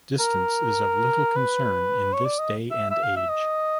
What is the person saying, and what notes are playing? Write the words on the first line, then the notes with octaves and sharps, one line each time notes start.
Distance is of little concern in this day and age.
A#4
B4
C#5
D5
D#5
E5
E5
F5
E5
D#5